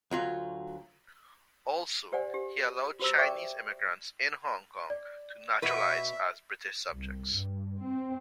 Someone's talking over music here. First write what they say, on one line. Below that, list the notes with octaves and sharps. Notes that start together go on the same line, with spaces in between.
Also, he allowed Chinese immigrants in Hong Kong to naturalise as British subjects.
D2 F#3 F4
G4 C5 D5 F#5 G#5
G4
F#4 G4 C5 A#5 E6
C5 D5 E5 G5 C#6 D6
D5
B2 B4 E5
C2
G2
C4